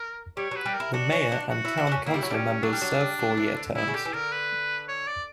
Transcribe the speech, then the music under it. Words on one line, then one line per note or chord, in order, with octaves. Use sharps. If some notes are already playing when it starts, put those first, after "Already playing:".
The Mayor and Town Council members serve four year terms.
Already playing: A#4
G3 C#5
F#3 B4
G3
A#4
E4
D4 F#4
C#4
D4
F#4
E4
E4
D4
C#4
A#3 E4
G3
F#3
G3 C#4
F#3 D4
G3
F#3
G3
F#3
E3
D3
D3 E4
C#3
D3 G4
E3
D3 A#4
B4
C#5
D5